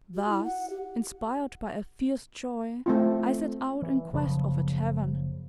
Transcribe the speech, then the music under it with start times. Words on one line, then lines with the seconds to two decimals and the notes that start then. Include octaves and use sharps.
Thus, inspired by a fierce joy, I set out in quest of a tavern.
0.15 F#4
0.29 E4
0.44 F#5
0.70 G4
2.86 A3 C4 F4
3.82 E3
4.13 F#1 C#3 F3